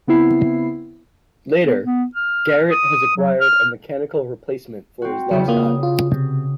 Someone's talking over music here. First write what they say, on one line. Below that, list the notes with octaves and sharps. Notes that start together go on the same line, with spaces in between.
Later, Garrett has acquired a mechanical replacement for his lost eye.
C#3 B3 C4 E4 C7
B3
B3
F6
D#6
F#3
F6
C4 F#4
E2 C#3 E3 F#3
A#3 F4 D#6
F4
C3